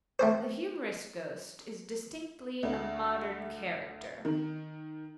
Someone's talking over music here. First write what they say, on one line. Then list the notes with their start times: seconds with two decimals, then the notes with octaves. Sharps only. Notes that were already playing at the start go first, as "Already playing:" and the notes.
The humorous ghost is distinctly a modern character.
0.19 A3 C4 C5
2.63 D2
4.25 D#3